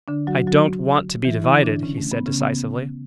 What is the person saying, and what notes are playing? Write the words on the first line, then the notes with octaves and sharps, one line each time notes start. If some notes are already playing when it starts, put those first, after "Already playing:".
"I don't want to be divided," he said decisively.
D3 D4
F#3 F#4
F#3 F#4
E3 E4
E3 E4
D3 D4
C#3 C#4
A3
B3
C#3 C#4
B3